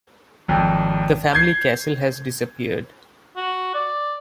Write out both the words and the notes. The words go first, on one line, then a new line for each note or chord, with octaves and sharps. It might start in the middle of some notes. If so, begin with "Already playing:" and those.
The family castle has disappeared.
G#1 F2
G6 G#6 C7
F#4
D5